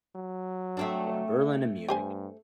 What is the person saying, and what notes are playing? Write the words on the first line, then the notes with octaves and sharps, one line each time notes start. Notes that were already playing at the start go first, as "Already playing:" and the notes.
Yeah, Berlin and Munich.
F#3
A3 C4 D4
G2 G4 C5 G#5